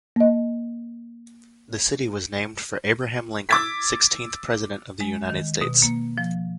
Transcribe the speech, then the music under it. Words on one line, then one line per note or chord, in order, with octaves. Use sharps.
The city was named for Abraham Lincoln, sixteenth President of the United States.
A#3 D#5
D6 E6 G#6 A6 B6
G#3
D#3
B2
A#3
F3